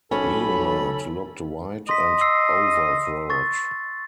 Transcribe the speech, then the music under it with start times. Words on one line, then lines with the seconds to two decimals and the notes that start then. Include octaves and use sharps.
Leonard looked white and overwrought.
0.11 B1 C#4 A4 B5
1.89 D#5 C6 B6
2.21 E6 C7
3.30 C#6 A6